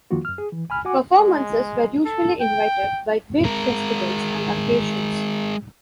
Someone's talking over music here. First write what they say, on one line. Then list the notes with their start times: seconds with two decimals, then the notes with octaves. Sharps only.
Performances were usually invited by big festivals and occasions.
0.11 F2 D#3 F3 A#3 F4 F#4
0.25 F#2 F6
0.38 G#4
0.52 E3
0.69 C#2 G#5 B5 F6
0.85 F#4 F#5 G#5 D6
1.19 G#3
2.05 A4
2.40 G5
3.44 G#3 A#4